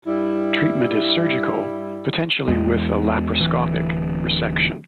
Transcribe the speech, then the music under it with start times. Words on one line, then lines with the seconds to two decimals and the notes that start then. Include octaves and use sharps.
Treatment is surgical, potentially with a laparoscopic resection.
0.06 G2 G3 E4
2.48 E2 G#3
3.41 D1 E3